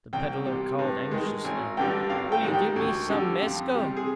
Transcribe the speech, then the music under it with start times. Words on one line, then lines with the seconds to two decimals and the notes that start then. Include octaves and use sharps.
The peddler called anxiously, "Will you give me some mescal?"
0.13 C2 G5
0.45 C3 G3
0.79 G2
1.11 D#3 G#3
1.44 G#1 G#5
1.77 G2 D3 G3 G5
2.10 G#1 F5
2.32 G5
2.43 G#2 D#3 G3
2.54 G5
2.76 D2
3.09 D3 G3
3.41 F2
3.74 C3 G3
3.97 G#4